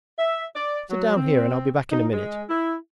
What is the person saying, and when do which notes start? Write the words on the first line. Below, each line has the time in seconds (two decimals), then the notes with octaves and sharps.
'Sit down here and I'll be back in a minute.
0.19 E5
0.56 D5
0.90 F#3
1.16 C4
1.92 D#4
2.12 G#3
2.49 E4